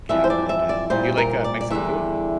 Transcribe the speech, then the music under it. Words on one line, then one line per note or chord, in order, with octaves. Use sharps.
Yeah, it is. Do you like, uh, Mexican food?
F2 E3 G3 E5
C5
D5
E5
D5
A#2 G3 C5
A#4
D5
D5
E2 D3 G3 E5